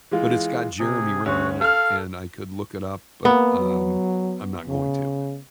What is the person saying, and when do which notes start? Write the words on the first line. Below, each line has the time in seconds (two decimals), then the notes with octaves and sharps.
but it's got Jeremy Renner in it, and I could look it up, but, um, I'm not going to.
0.11 E3 G#3 F4
0.80 C3 G#4
1.26 D2 C#4 F#4
1.61 A4 F5 F6
3.25 A#3 B3
3.59 F#3
4.68 C#3